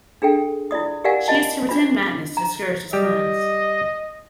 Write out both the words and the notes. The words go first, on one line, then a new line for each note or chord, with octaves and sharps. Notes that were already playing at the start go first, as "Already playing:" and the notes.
She is to pretend madness to discourage these plans.
D4 G#4 A4 G5
E4 F4 D5 D#6
G4 A#4 D5 F5 F#5 G#5
F4 D#5 A5
D4 F4 C5 B5
A#5
G3 G4 D#5